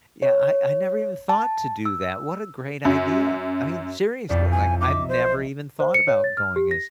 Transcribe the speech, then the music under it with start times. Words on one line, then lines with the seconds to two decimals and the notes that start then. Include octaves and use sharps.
yeah, I I never even thought to do that, what a great idea. I mean, seriously, like, I've never even thought about going as
0.22 C#5
1.29 A5
1.85 E6
2.85 F#2
4.29 B1 F2 E4 D5
4.51 G#5
4.81 D#4 D#5 E5 D6
5.09 C5
5.80 C5
5.94 C#7
6.08 C#5
6.24 A6
6.37 F6
6.56 G4
6.71 A#6